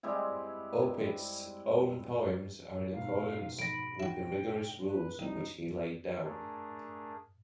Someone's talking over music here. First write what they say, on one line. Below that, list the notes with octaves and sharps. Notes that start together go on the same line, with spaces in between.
Opitz's own poems are in accordance with the rigorous rules which he laid down.
G3 G#3 C4 E4
G#2 B2 F5
F2 B5 A#6 D7
E4 F#4 G5
B4
C2 G3 C4 D#4 E4
A3 D4 G#4 A#4